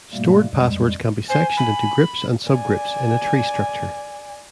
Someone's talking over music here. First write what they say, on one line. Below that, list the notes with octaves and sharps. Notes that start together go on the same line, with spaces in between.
Stored passwords can be sectioned into groups and subgroups in a tree structure.
G#2 B2 G3 A3 A#3
F2 G3 G#3
C5 G#5
B5
D5 G#5